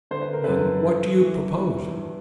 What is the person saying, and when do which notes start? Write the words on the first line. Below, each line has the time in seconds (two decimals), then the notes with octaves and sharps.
"Then what do you propose?"
0.11 D3 C5
0.21 B4
0.33 A#4
0.44 F#2 A4 B4
0.84 G2
1.21 E3
1.58 E3
1.94 G2